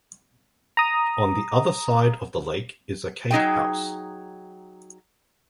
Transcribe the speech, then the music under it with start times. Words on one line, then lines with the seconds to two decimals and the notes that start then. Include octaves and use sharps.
On the other side of the lake is a cake-house.
0.77 A#5 D#6
3.31 F#3 D#4 G#4 G5